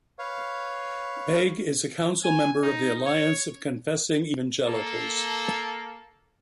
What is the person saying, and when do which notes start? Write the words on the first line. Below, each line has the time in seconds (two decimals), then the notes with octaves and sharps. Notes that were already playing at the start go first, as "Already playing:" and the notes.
Begg is a Council member of the Alliance of Confessing Evangelicals.
0.19 B4 C#5 F5
2.23 G#5
2.62 D#4
3.05 C#5
4.66 A#3 A4